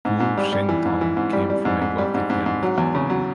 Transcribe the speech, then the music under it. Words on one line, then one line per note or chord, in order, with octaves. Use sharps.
Guo Shengtong came from a wealthy family.
G#2
G#2
G3
G3
E3
G#2
E3
G#2
G3
G3
G#2
G#2
G3
G#2
G#2
G#2
F#3
E2
C#3
F#3